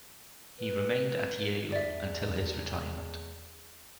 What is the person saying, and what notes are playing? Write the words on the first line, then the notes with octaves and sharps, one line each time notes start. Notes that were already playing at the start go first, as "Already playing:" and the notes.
He remained at Yale until his retirement.
B4
E2 D5 E5